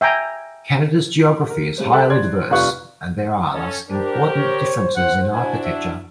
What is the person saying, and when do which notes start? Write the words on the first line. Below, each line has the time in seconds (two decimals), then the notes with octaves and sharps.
Canada's geography is highly diverse, and there are thus important differences in architecture.
0.01 E5 G5 G#5 A#5
1.50 A#4
1.78 C#3 G3 C4
1.93 A4 A5 B5 F#6
2.10 D5 C6 G#6
2.50 F1 G2 F4 B4 C#6 F#6
3.51 C#4 A4
3.89 D4 G4 A#4 C5
4.37 C#5
4.96 F#5
5.32 D4 E4 F#4 G#5
5.64 E5